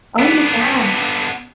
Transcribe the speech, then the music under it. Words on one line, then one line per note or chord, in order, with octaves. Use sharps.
Oh my gosh.
B3 D4